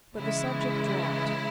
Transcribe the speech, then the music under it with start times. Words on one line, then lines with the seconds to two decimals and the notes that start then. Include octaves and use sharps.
But the subject dropped.
0.17 C#3 E3 G#3 E4